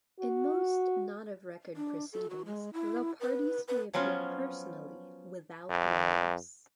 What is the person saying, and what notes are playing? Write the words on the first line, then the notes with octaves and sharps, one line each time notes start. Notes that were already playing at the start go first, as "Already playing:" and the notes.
In most "not of record" proceedings, the parties may appear personally, without lawyers.
F#4
D4
A4
F#4
G#3
E4
B4
B4
F3 F#3 B3 C#4 F4
F2